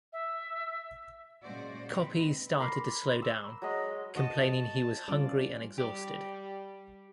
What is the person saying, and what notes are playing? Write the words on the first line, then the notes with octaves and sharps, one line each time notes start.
Coppi started to slow down, complaining he was hungry and exhausted.
E5
A#2 C#3 G#3 F#4 C5 D5
C4 D#4 B4
A#4 B5 C6 D6
E6
F#3 G#3 D#5
F#4 D#5 A5
G3 C#4 F4 D5
G3 G4 D5